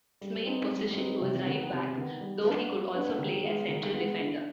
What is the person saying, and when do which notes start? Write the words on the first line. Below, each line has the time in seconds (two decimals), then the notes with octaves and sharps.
His main position was right-back, though he could also play as central defender.
0.21 G3
0.46 C4 D#4 B4
0.71 G3
0.95 C4 D#4 B4
1.21 C3
1.46 D#3 B3
1.70 C3
1.95 D#3 B3
2.21 G3
2.44 B3 D4 F4 B4
2.70 G3
2.94 B3 D4 F4 B4
3.19 D#3
3.44 G#3 B3 F4
3.68 D#3
3.94 G#3 B3 F4
4.19 D3